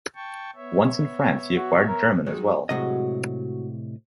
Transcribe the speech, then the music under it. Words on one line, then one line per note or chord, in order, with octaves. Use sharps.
Once in France he acquired German as well.
G5 A5 C#6
B3 C#5 E5
F#4
A#4
D#3 F#3 G#3
A2 C3 F#3 G#3 F#4 D#5